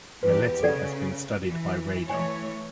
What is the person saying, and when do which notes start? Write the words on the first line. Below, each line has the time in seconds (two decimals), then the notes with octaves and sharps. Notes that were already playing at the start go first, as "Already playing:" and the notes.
Melete has been studied by radar.
0.23 E2 G4 B4
0.63 C#3 A4 D5 F#5
1.47 E3
2.10 E3 A3 C#5 G#5